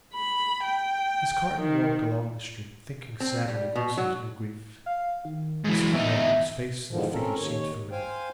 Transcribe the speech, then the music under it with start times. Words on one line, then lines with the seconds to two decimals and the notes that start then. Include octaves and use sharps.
As Carton walked along the street thinking sadly of Lucie's new grief, he saw a man whose face and figure seemed familiar.
0.13 B5
0.62 G5
1.59 D#3
3.20 C4
3.48 G3
3.76 B2
3.97 F#3
4.86 F5
5.25 D#3
5.64 G#2 E3
5.93 E2 D#4 E5
6.91 E2 G#2 B2 D3 D#3 F3
7.13 C4 C#4 A4 A#4
7.37 D#2 C#5
7.92 C5 F5 G5 G#5